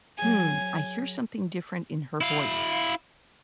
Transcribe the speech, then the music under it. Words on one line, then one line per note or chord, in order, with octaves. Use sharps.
"Hmm, I hear something different in her voice.
F#3 G#4 G#5
E4 F5